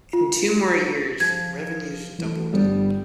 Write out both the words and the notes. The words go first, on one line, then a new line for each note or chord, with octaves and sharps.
In two more years revenues doubled.
F4
F3 G#6
E3 A3
G1 G3 B3 D4